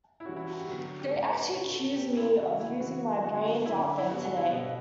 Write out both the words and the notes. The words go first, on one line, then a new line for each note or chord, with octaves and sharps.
They actually accused me of using my brains out there today.
E4
E3 G3 C#4 F#4
E4
F#4
G4
D3 F#3 B3 F#4
G4
A2 G3 C#4 A4
B4
C#3 G3 C#4 C#5
A4
C#3 G3 B3 G4
E4
C#3 E3 A3 F#4
E4
E3 B3 F#4
D3 F#3 B3 F#4
D3 F#3 C#4 E4
E4
D3 G3 B3 F#4
F#4
E4
B2 G3 B3